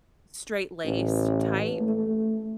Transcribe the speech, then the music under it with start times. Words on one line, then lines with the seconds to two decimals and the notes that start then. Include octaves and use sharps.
straight-laced type,
0.85 A1
1.81 A3